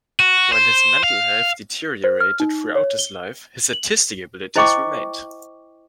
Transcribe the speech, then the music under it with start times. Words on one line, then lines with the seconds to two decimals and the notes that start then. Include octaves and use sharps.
While his mental health deteriorated throughout his life, his artistic abilities remained.
0.20 F#4
0.52 C5
1.04 F5
2.04 C5
2.21 F6
2.40 D#4
2.75 C#5
2.99 G7
3.73 F#7
4.56 E4 C5 D#5 G5 C#6 D6